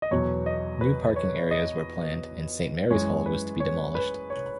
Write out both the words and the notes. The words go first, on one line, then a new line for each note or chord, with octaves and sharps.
New parking areas were planned and Saint Mary's Hall was to be demolished.
D#5
E2 B2 F#3 C#5
D#5
B4
C#5
D#5
F#2 E3 G#3 C#5
B4
C#5
B4
C#5